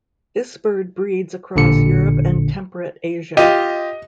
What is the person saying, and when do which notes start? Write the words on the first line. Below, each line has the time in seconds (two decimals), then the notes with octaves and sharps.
This bird breeds across Europe and temperate Asia.
1.56 A1 A#2 D3 C#7
3.37 F4 G4 D#5 D#7